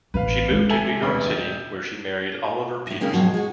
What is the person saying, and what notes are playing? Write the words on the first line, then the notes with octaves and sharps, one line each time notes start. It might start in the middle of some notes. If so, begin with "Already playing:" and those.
She moved to New York City where she married Oliver Peterson.
A1 E3 B4 F5
G#3
A4 E5 G#5
C3
E1 D2 B3
E1 G6
A2 E4
C#3 G#3 A#3 C4 C#4 D#4
G#2 B2 F3 F#3
G#3 F#4